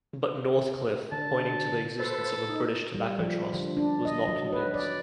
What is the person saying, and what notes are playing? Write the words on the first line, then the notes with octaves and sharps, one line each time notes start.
But Northcliffe, pointing to the existence of a British Tobacco Trust, was not convinced.
D3 A5
A4 B4 C5
D#4
G3
F3
D3
D4
D#5
F#3
B4
D5